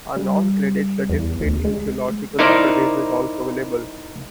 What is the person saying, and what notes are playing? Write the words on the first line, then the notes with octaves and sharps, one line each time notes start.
A non-credit Certificate in Theological Studies is also available.
G3
E2
D2
G#3
D#4 E4 A#4 C5 D5